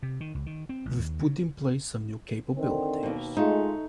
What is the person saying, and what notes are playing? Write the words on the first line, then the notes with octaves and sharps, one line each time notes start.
We’ve put in place some new capabilities.
C3
D#3
C#2
D#3
C4
A1
D#2
C#3
D3 D#3 C4
D#2 B2
G#3 A3 D#4 F4